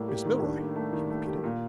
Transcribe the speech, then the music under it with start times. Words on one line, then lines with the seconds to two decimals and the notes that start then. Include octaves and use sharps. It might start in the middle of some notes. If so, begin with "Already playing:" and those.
"Miss Milroy!" he repeated.
Already playing: A2 G3 A#3
0.08 G4
0.25 D#3
0.42 D4
0.59 A3
0.75 A3
0.93 D#3
1.10 A3
1.27 G4
1.44 A#2